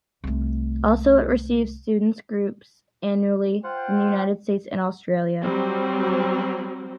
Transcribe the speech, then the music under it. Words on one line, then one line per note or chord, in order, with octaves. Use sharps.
Also, it receives students groups annually from the United States and Australia.
C2 A3
F4 C5 F#5 G5
F#3 G3 C4